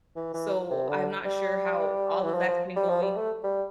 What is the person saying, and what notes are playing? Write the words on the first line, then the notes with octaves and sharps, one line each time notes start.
so I'm not sure how all of that's been going.
E3
E3
C3
D3
G3
E3
F3
F3
G3
F3
G3
A3
G3